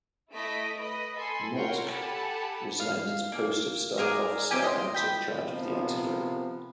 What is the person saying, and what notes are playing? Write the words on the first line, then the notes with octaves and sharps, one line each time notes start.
Moltke resigned his post of staff officer and took charge of the artillery.
A3 E4 D#5 B6 D7
B4 D#5 B5
A4 G#5 B5 C6
A#4 C#5 F#5 G5 C6
G4 A4 F#5 G#5 A5 B5
F5
A#3
D4 G#4 A#4
C4 G4 G#5
D#5 C6
G5 B5
C3 F3 A#3 B3